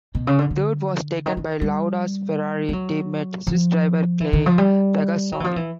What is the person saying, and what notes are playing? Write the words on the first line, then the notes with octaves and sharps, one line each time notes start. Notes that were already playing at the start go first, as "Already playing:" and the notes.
Third was taken by Lauda's Ferrari team mate, Swiss driver Clay Regazzoni.
B2
C#3
D3
D3
D#3
E3
G3
G3
F#3
F3
E3
D#3
F3
G3
F#3
E3
F3
E3